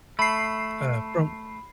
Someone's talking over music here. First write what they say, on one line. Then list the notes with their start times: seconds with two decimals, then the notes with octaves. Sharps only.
uh, from
0.19 A3 B5 C7